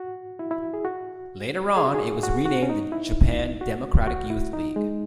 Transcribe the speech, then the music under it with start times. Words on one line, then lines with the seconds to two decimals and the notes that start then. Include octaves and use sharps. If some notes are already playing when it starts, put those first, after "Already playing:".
Later on, it was renamed the Japan Democratic Youth League.
Already playing: F#4
0.39 E4
0.51 E4
0.74 G#4
0.85 F#4
1.77 G#4
1.86 F#4
1.94 G#4
2.23 F#4
2.46 F#4
2.63 C#4
2.69 D#4
2.92 E4
3.61 F#4
4.07 F#4
4.30 E4
4.53 D#4
4.76 G#3